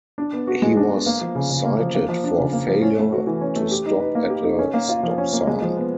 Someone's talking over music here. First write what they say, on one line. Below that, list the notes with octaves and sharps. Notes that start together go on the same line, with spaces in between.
He was cited for failure to stop at a stop sign.
D4
B3
F#4
G#3
D4
B3
A#3
F3
C#3
C#3
A#3
F3
A#3
F3
D4
C#3
A#3
F3
C#4
A3
F#4
E3
C#4
A3
G4
D#4
B4
A#3
G4
D#4
C#4
A#3
F4
F3
C#4
A#3
G#3
F3
B3